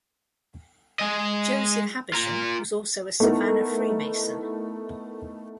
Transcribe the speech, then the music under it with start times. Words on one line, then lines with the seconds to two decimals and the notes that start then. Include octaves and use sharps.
Joseph Habersham was also a Savannah Freemason.
0.99 G#3 D#5
2.13 F4 A#5
3.20 A3 B3 D#4 E4 A#4